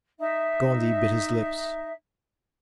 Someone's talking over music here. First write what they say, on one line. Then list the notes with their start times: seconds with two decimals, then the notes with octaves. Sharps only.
Gondy bit his lips.
0.19 D#4 E5